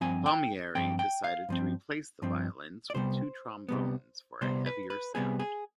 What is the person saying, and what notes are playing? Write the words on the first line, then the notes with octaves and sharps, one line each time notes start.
Palmieri decided to replace the violins with two trombones for a heavier sound.
G2 F3 C4 G#5
G5
G2 F3 C4 G5
G5
F5
G2 F3 C4
G2 F3 C4
D5
C2 C3 G3 B3 C5
C2 C3 G3 B3
C2 C3 G3 B3 C5
B4
B4
C2 C3 G3 B3 G#4
G#4